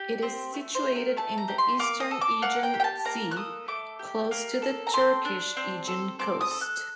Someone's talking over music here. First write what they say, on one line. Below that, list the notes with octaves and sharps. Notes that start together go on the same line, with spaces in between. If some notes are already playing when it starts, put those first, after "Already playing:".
It is situated in the eastern Aegean Sea, close to the Turkish Aegean Coast.
Already playing: G4
C4
A3
C5
G4
A#4
A3 A5
A#5
G4
C6
A#3 D6
D#6
A4
D6
A#3 F#5
G5
G4
G5
A5
A#3 A#5
F#6
A4 D#6
A3 D6
G4
A#3
A4
A#5
G4 C6
D4
C4
A4
C4 D6
D#6
A4
F#6